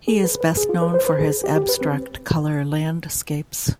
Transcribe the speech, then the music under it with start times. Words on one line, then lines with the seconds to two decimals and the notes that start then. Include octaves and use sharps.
He is best known for his abstract colour landscapes.
0.08 G#4
0.24 B4
0.41 B4
0.57 G#4
0.69 F4
0.82 B4
0.94 C5
1.07 B4
1.19 G#4
1.44 G4
1.56 G4
1.69 B4
1.81 C4